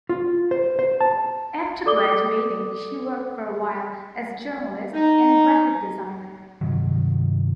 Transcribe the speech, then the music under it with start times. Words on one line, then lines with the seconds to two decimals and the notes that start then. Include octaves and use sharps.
After graduating, she worked for a while as a journalist and graphic designer.
0.09 F4
0.51 C5
0.79 C5
1.01 A5
1.86 A4 D5 D6 D#6 G7
4.94 D#4
6.61 G2 C3 D#3 F#3